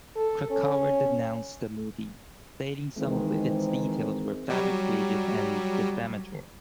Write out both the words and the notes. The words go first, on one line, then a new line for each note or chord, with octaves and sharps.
Krakauer denounced the movie, stating some of its details were fabricated and defamatory.
A4
C#4
D#3 E3 G#3 C4
F#3 G3